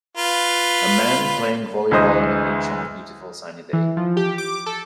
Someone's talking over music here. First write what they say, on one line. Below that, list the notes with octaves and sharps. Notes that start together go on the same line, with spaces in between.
A man playing volleyball on a beach on a beautiful sunny day.
F4 B4
D2 E3 G#3 C5 D#5 D#6
E3
F3
G4
D6
A4